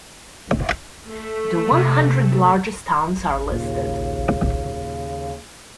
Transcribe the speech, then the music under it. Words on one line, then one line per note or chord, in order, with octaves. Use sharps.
The one hundred largest towns are listed.
A3
C3
D#2 A#2 C#3